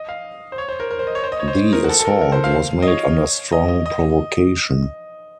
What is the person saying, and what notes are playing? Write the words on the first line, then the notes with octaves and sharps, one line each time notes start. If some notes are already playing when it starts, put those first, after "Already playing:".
The assault was made under strong provocation.
Already playing: D#5
F5
C5
C#5
C5
A#4
A#4
C5
D#5
C#5
C5
D#5
C#5
C5
A#4
F#4
A4
A4
A#4
A#4
C5
F5
D#5
C#5
D#5
D#5
D#5